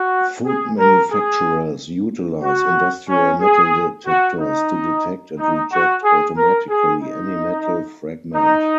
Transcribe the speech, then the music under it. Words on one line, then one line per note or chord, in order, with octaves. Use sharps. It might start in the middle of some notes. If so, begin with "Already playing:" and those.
Food manufacturers utilize industrial metal detectors to detect and reject automatically any metal fragment.
Already playing: F#4
G#4
A#4
G#4
F#4
C#4
G#4
F#4
D#4
D#4
F#4
G#4
A#4
G#4
D#4
D#4